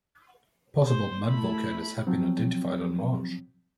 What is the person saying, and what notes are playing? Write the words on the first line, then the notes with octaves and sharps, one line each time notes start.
Possible mud volcanoes have been identified on Mars.
C5
A3 E4 B5
F3 F#3 C4